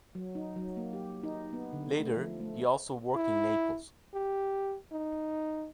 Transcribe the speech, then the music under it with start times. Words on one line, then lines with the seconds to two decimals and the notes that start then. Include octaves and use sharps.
Later he also worked in Naples.
0.15 F#3
0.35 D#4
0.56 F#3
0.77 A#3
0.93 G4
1.23 D#4
1.53 B3
1.73 D3
1.99 A3
2.16 F3
2.40 A3
3.16 E4
4.14 G4
4.92 D#4